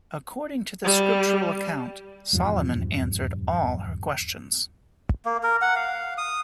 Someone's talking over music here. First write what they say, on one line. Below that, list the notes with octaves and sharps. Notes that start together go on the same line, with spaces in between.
According to the scriptural account, Solomon answered all her questions.
G3
D#1 E2 G2 F3
A#3
A#4
F#5
F5
D#6